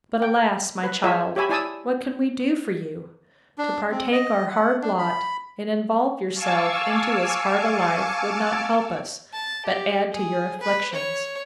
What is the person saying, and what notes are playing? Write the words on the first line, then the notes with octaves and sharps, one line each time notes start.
But, alas! my child, what can we do for you?--To partake our hard lot, and involve yourself into as hard a life, would not help us, but add to your afflictions.
G5
B4
F4 G#4 C#5 D#5 E5
G4 C#5 E5 G#5 B5
E4 D5 G#5 A5 D#6 E6
D4
C4
D#5
F#5
D4
B5
F5 G#5 A5 C#6 D6 E6
A5
G4
G#4
B4
C#5